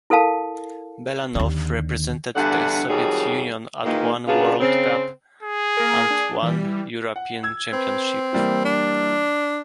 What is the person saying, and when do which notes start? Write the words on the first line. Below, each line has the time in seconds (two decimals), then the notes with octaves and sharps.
Belanov represented the Soviet Union at one World Cup and one European Championship.
0.10 E4 A4 A#4 F5 A5
1.35 D#2 D3
2.35 E2 G2 D3 D4 F#5
2.88 F2 D#3 F#3 G3 D#4 G#4
3.84 A#2 D#3 E3 G#3 A#3
4.27 C#3 F#3 B3 D4 F4 G#4
4.60 C#3 C4
5.43 G#4
5.77 A#3 A#4
6.10 D4
6.43 E3 G3
7.16 F#5
7.43 E6 G#6
7.73 C4 B4
8.33 E3 G3 A#3
8.65 D4